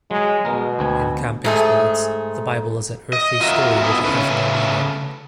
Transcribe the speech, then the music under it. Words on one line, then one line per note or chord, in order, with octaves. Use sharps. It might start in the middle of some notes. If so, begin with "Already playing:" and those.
In Camping's words, the Bible is an earthly story with a Heavenly meaning.
F#3 G#3
B2 G#3 A#4
D2 C4 G#5
G#2 A3 G#4
D#5
F4 F#4 A#4 E5
B3 D#4 E4 G#4 A4 B4
C#3 A3 C#4 B4